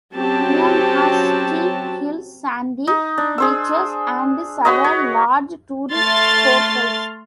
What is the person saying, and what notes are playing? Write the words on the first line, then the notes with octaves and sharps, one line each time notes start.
Neum has steep hills, sandy beaches, and several large tourist hotels.
F#3 C4 C#4 F#4 G4 A5
D#4
D4
G#4 C5 E6
F#4 B4 C#5 D#5
C#5
A3 C6 F6 A6